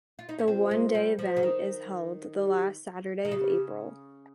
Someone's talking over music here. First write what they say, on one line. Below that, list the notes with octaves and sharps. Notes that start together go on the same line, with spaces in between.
The one day event is held the last Saturday of April.
F4
D#4
C#4
C4 F4
G#3
G3
F3
C#3
D#3
G4
D#3
C#3 G4